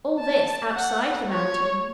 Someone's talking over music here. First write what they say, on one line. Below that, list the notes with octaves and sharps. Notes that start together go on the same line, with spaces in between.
All this outside the mountain!
A5
F#5
C#5